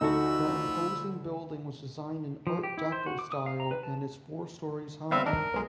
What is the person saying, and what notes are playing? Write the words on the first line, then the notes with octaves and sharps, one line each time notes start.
The imposing building was designed in Art Deco style and is four stories high.
D2 F3 D#4 F#4 A4 B5 E6
F3
G4
E4
C5
F#4
D6
D#6
F5
A#5
B4
A5
G3 B3 C4 E5 F5
D#3 D4 A#4
B1 G#3